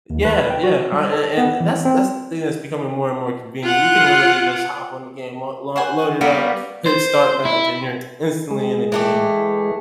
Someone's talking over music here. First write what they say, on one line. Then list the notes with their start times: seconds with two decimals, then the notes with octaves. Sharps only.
yeah, yeah, uh, and and that's that's the thing that's becoming more and more convenient. You can literally just hop on the game, l load it up, hit start match, and you're instantly in the game,
0.10 D#2
0.25 B4
0.50 G5
0.64 F#4
0.92 G3
1.12 A4
1.37 B3
1.60 E3
1.85 C4
3.64 F4 F#5
5.76 C5 F#5 G#5
6.21 G3 A#3 B3 F#4
6.86 C5
7.45 E4
8.51 G#3
8.92 E3 A3 G4